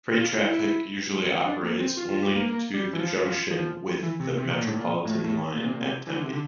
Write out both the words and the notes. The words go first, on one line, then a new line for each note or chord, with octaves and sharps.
Freight traffic usually operates only to the junction with the Metropolitan line at Tempe.
F4
E4
D4
A#3
C4
F4
F4
G4
A#3
A#3
G3
E3
F3
F3
F3
E3
C3
C3
A#2
A2
A#2
A2
A2
A#2
C3
A#2
C3
E3
D3
C3
D3